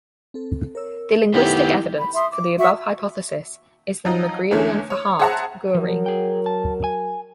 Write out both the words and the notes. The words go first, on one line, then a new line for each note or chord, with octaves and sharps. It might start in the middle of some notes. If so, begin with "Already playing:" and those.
The linguistic evidence for the above hypothesis is the Megrelian for "heart" - "guri".
C4 A4
A#4 C#5 E6
D#3 B3 E4 G4 A4 C5 F#5
B5
E5 C6 D#6
D6
F#4 E5 C#6 E6
F3 F#3 D#4
E2 D3 E3 A3 C#4
C#5
G#4 C5 E5 F#5 A5 A#5
F3 F#3 A#4
G#4 G5
A5
G#5